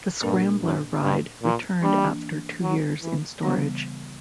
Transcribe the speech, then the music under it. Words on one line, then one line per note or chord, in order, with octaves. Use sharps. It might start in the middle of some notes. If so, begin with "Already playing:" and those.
The Scrambler ride returned after two years in storage.
G2 A#2 A#3 D4 G4 A#4
F#2
G2
A#2
E3 G3 A#3 D4
F#3
E3
C#3 E3 F#3 G3 B3